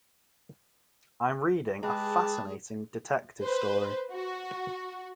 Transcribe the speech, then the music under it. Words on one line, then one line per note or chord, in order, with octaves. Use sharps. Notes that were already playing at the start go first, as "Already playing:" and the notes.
I'm reading a fascinating detective story.
G#3 G4 G#4 B4 A5
B4 C5
F#4